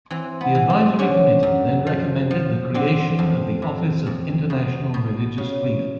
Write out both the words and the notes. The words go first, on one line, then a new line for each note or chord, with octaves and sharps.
The advisory Committee then recommended the creation of the Office of International Religious Freedom.
E3 C4
B3
E3
C4
D3 C#4
F#2
F3
F3
D3 C4
F2
C3
F2
B2
B2
C#3